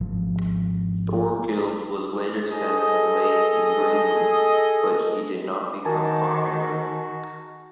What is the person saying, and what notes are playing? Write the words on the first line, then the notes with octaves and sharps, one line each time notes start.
Thorgils was later sent to Leif in Greenland, but he did not become popular.
G#1 F3
G#4 A4 D#5
D#3 F#4 A#4 G#5 A5